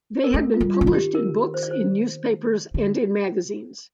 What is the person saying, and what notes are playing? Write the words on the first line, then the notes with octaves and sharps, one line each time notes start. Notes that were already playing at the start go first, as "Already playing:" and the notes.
They had been published in books, in newspapers and in magazines.
A#4
A3 A4
F4
G3
F4
D3
D#3
G4
A#4
C5
D5
C5
D3